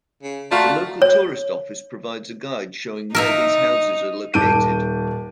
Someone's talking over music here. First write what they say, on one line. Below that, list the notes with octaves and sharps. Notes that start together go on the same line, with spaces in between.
The local tourist office provides a guide showing where these houses are located.
C#3
A3 F4 F#4 D5 F5 A#5
C#5
D#4 A#4 E5 A#5
D#1 A5 D6 G6 D7 D#7